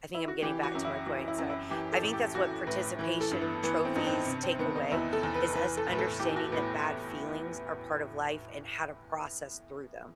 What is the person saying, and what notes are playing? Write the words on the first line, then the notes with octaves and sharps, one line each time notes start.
I think I'm getting back to my point, sorry. I think that's what participation trophies take away, is us understanding that bad feelings are part of life and how to process through them.
E4
F#4
E3 G4
F#4
F#2
E4
E3 F#4
E4
F#2
E4
E3 G4
A4
A2
G4
E3 F#4
A2 B4
E3 B4
A4
G2
B3
E3 B3
C4
G2 D#4
C4
C3
C4
D#3 B3
D#4
E2 E4
A4
E2
B4
E3 B4
A4
A2 B4
A4
E3 G4
F#4
A2 B3